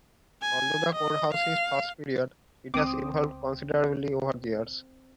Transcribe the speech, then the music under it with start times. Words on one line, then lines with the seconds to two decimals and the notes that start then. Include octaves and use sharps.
Although the core house is first period, it has evolved considerably over the years.
0.42 G#5
0.95 D#5
1.34 F5
2.74 C#2 C4 D6 D#6